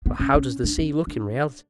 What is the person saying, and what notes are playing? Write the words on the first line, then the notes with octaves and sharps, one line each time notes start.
But how does the sea look in reality?
B3
C#4
C#4
D4
C#4
D4